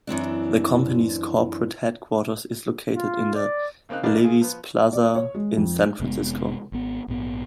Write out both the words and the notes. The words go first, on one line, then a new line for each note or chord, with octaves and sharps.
The company's corporate headquarters is located in the Levi's Plaza in San Francisco.
F#2 E3 C4 D4
F4
D5
C#3 A#3 C4 D#4 F#6
A#1 D#3 F3 B4 D5 F5
F4 G#4
F3 B3
D5
C#5
G#3
F2
F1 C3 G#3 B3
G#1 B3
A#1 G#2 B3